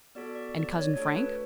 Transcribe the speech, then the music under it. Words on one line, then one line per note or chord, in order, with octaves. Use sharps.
"And cousin Frank?"
B3 F#4 A4 D5
D5
D5
C#5
A3 D4 F#4 A4 C#5
B4